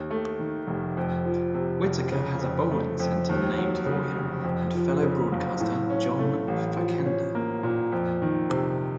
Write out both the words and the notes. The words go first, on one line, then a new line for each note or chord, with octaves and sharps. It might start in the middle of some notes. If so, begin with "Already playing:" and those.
Whitaker has a bowling center named for him and fellow broadcaster John Facenda.
Already playing: D#2
A3
D#3
F1
F2
F3
C3
F1
C#3
F2
A3
F2
D#2
F#3
C#3
F1
F2
F3
C#3
F#1
A2
C#4
A3
A1
F3
C#4
A#3
A#2
F2
D#3
C3